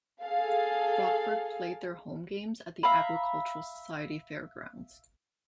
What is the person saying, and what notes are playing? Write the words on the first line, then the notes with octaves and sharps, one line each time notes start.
Rockford played their home games at the Agricultural Society Fair Grounds.
G#4 A4 F5
E5 F5 A#5 B5